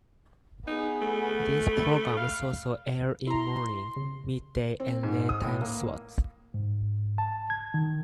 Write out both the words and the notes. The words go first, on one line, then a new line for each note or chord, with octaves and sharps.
These programs also air in morning, midday and late time slots.
B3 D#4 G#4
A3
B5
F5
E4 A#5 C6
C#3
C4
G#2
D#6
A2
A#3
G#2
A5
G#6
D#3